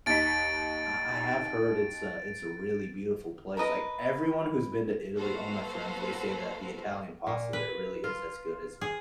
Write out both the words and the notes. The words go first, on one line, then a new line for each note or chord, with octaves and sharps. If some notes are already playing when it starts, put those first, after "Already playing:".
I I have heard it's a it's a really beautiful place. Like, everyone who's been to Italy, all my friends, they say that the Italian pasta there really is as good as
D#2 D#4 A6 B6 D7
A#4 B4 D#5 A#5
A#3 F#4 A4 B4 C5 F5
A#2
B4
F4
G#4